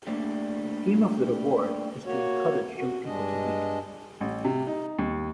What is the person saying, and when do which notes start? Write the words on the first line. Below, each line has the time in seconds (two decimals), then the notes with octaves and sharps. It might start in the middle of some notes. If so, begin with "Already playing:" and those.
The aim of the reward is to encourage young people to read.
0.07 G3 A3 A#3 D4
2.06 A#3 F#4 C#5
2.77 F#4
3.06 G2 G#3 D4 D#5
4.21 A1
4.44 C3
4.67 D#4
4.99 D#2